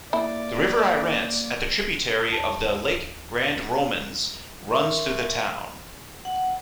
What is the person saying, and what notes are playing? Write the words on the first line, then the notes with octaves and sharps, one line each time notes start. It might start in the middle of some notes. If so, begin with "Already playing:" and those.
The river Irance, at tributary of the lake Grand Romans, runs through the town.
A#3 E4 D5
D#2 A5
A#4 E5 C6 C#6
F#5